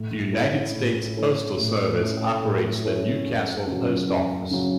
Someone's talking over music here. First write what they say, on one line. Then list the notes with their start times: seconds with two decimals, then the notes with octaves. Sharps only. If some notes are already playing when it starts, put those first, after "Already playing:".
The United States Postal Service operates the Newcastle Post Office.
Already playing: A2
0.33 A3 C#4 E4
0.75 A2
1.17 A3 C#4 E4
1.59 A2
2.01 A3 C#4 E4
2.42 A2
2.85 A3 C#4 E4
3.26 F#2
3.67 C#3 F#3
4.10 F#2
4.51 C#3 F#3